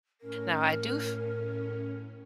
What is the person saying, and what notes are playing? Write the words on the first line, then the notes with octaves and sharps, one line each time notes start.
Now I do f
A2 C#4 A#4